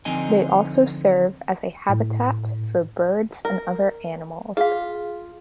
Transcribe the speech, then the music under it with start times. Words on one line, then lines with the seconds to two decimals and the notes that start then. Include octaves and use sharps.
They also serve as a habitat for birds and other animals.
0.05 D3 F3 C4 D#4 D#5 G#5
1.89 A2
3.45 A#4
4.57 F4 G#4 F5